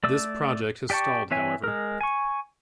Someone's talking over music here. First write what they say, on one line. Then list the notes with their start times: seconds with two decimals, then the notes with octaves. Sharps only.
This project has stalled, however.
0.04 A3 D5 E6
0.90 G4 D5 G5 A5 C#6
1.31 E3 C4 C#5 E5 G#5
1.64 G#3 A#4
2.01 G#5 C#6